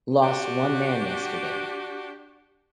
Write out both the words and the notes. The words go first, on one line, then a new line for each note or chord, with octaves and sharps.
Lost one man yesterday.
D4 F#4 G4